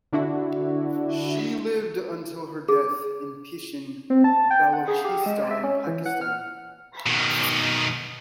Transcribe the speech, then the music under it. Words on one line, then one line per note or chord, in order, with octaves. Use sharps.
She lived until her death in Pishin, Balochistan, Pakistan.
D3 D4 E4 F#4
G#4
C4
A5
G5
F#5
G#4
G4
G#3
E5
C#4
E3
F#5
F6
B2 D#3